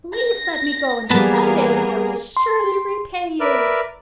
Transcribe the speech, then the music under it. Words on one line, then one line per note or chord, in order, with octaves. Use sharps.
"Please let me go and some day I will surely repay you."
A#6
E2 G3 A#3 B3 G#4 A#4 B4 A5
C6
A#4 B4 D5 E5 F6